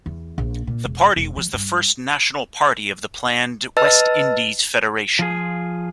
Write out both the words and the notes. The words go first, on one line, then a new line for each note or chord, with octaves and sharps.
The party was the first national party of the planned West Indies Federation.
E2
A#1
A#2
E1
E1
F3
G2
B4 D#5 A5 E6 A6
F3 F4 G#4